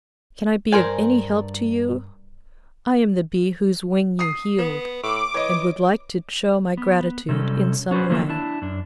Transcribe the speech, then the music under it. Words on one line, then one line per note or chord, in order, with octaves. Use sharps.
Can I be of any help to you? I am the bee whose wing you healed, and would like to show my gratitude in some way.'
G2 A#4 C5 D5 G#5
D#6 C7
B3
A2 D6
E3 C#5 D#5
B3
C3 F#3 G3 A3 C#4 A4
C#4 F#4 A4 B4 C5
D3 F3 F#3 A3 A#3
D4 E4 A5
F#2 D4